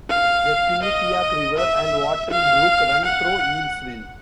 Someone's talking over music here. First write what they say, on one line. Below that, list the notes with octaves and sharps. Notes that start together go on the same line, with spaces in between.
The Quinnipiac River and Wharton Brook run through Yalesville.
F5
D#5
E5
F5
F#5